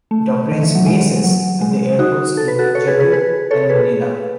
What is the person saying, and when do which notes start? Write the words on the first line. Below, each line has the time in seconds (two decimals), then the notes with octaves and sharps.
It operates bases at the airports in Cebu and Manila.
0.11 A3
0.52 D#3
0.63 E3
0.75 F#3
0.86 G#3
1.24 F#3
1.61 G#3
1.99 D#4 F#4
2.37 A4
2.48 B4
2.59 F#4 A4
2.75 A4 C#5
2.87 G#4 B4
3.00 G#4 B4
3.12 G#4 B4
3.51 A4 C#5
3.69 G#4 B4